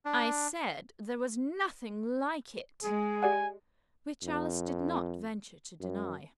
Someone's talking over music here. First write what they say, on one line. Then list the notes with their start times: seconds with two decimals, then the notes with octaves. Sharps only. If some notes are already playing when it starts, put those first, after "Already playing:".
'I said there was nothing LIKE it.' Which Alice did not venture to deny.
0.05 D4
2.83 G#3 G#4
3.23 G4 D5 F#5 G#5
4.23 F2
5.80 F#2